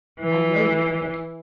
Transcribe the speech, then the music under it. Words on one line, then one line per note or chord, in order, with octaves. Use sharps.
"I know you could."
E3